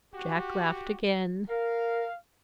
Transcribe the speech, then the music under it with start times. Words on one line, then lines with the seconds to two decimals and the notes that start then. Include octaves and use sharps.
Jack laughed again.
0.13 F#4 G4
1.49 A#4 F5